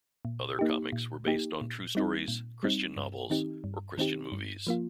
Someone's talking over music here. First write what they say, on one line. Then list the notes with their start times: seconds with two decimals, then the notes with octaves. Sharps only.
Other comics were based on true stories, Christian novels, or Christian movies.
0.25 A#2
0.59 A#3 D#4 G4
0.92 A#2
1.27 A#3 D#4 G4
1.61 A#2
1.95 G3 C4 D#4
2.28 A#2
2.63 G3 C4 D#4
2.97 G2
3.30 D#3 C4 D#4 G4
3.64 G2
3.98 D#3 C4 D#4 G4
4.32 G2
4.67 F3 A#3 F4